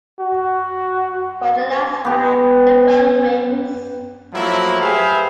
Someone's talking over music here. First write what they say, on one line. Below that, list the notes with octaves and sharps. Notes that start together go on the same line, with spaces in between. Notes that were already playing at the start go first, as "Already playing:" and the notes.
For the last time, the phone rings.
F#4
B3 G4
F3 F#3 A3 A#3 E4
G4 G#4 B4 C5 E5 F5